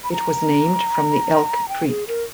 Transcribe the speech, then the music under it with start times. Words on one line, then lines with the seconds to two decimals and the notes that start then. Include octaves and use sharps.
It was named from the Elk Creek.
0.04 B5
0.12 A#5
1.69 G5
1.88 G#4
2.08 A#4